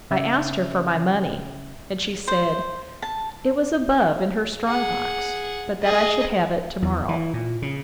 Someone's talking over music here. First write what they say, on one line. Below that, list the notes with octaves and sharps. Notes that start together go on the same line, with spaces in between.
I asked her for my money; and she said, it was above in her strong box, but that I should have it to-morrow.
C#3 C#4 E5
C5
A5
G#4 F#5
G#4 D#5
E2
E3
A#2
C#3